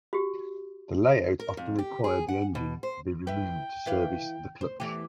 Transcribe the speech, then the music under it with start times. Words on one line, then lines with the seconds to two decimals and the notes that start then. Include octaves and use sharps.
The layout often required the engine be removed to service the clutch.
0.13 F#4 G4
1.40 A#4
1.57 F2
1.79 G4
2.04 G#4
2.28 F#5
2.55 B2
2.83 C5
3.27 E4 B4 G5
3.86 E3 B4 F5
4.61 C5
4.80 E2 E3 A3 G4